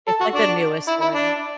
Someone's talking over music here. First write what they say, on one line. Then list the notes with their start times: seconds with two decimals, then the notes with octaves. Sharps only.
It's, like, the newest one.
0.08 A4
0.21 F#4
0.35 D4
0.88 E4
1.01 E4
1.14 D4